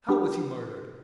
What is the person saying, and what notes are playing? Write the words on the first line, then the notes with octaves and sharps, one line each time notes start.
How was he murdered?
G3 D4 G4